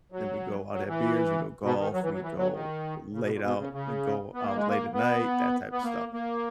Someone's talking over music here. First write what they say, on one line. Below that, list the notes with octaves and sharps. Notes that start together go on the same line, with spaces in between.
then we go out, have beers, we go golf, we go late out and go out late at night, that type of stuff.
F#3
F#3
E3
B2
D#3
F#3
E3
F#3
E3
F#3
D#3
C#3
B2
A#2
B2
C#3
C#3
B3
A#3
G#3
A#3
B3
B3
A#3
A#3